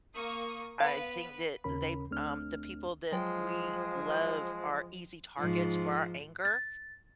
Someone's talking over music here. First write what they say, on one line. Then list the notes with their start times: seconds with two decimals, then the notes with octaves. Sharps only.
I think that they, um, the people that we love are easy targets for our anger,
0.14 A#3 C#6 D#6
0.80 B3 B4 F5
1.64 D#2 C#3 C#4 A#4 B5
2.11 D2 A3 C4 D4 F6
3.12 F3 F#3 G#3 G5
5.38 G#2 F3
6.45 A6